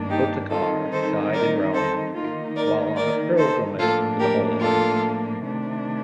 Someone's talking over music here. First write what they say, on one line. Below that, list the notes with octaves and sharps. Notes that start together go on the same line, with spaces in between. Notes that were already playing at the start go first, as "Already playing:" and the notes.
Ottokar died in Rome, while on a pilgrimage to the Holy Land.
Already playing: G2 D#3 A#3 D4
D#4 G4
D#3 G3 C4 D#4 F4 A4
A4 C5
A#4 D5
A4 C5
D#3 A#3 D#4 F4
A#4 D5
A#4 D5
A4 C5
A2 F3 A#3 D4 F4 A4
G4 A#4
F4 A4
C3 D#3 A3 D4